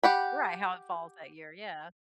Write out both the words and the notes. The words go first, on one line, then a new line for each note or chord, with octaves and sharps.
Right, how it falls that year, yeah.
G4 F#5 B5